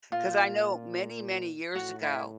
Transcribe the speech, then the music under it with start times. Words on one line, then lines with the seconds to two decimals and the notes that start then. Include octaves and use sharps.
'Cause I know many, many years ago,
0.12 A#2 F4
1.75 A2 F#4
2.03 E4